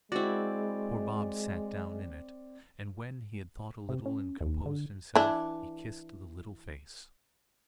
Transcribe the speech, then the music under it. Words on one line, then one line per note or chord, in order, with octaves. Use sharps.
Poor Bob sat down in it, and when he had thought a little and composed himself, he kissed the little face.
G#3 C4 E4 F#4 D5
C3
C#4
D#2
D3
E3 D4